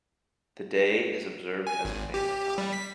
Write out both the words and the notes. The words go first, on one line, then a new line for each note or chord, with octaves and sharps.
The day is observed as a family time.
G#5
G#1
G4
G3
B6